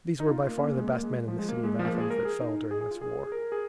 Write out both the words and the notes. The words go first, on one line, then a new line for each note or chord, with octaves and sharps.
These were by far the best men in the city of Athens that fell during this war.
D#4
F4
A#3
C#4
A#3
G#3
A#3
G#3
F3
G#3
A#3
G#3
F3
A#3
G#3
G#4
A#4
G#4
D#4
G#4
G#4
F4
G#4
G#4
A#4
G#4